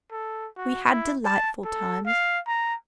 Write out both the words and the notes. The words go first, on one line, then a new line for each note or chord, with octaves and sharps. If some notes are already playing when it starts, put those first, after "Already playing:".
We had delightful times.
A4
F#4
E4
A5
A4
F5
A#5